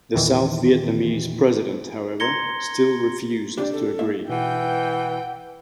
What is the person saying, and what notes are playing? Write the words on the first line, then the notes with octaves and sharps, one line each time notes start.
The South Vietnamese president, however, still refused to agree.
E2 A#2 D#3 E3
A#5 C6 G#6 A#6 C#7 G7
C3 D4 G4 D5
A4
A#3 E5
B2 E3 F#5 G5